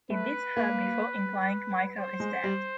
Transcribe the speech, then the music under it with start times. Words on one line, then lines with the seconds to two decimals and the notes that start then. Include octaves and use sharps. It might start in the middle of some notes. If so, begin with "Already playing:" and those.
He beats her before implying Michael is dead.
0.10 A3 B4
0.57 A#3
1.97 C5
2.20 G#3
2.44 G3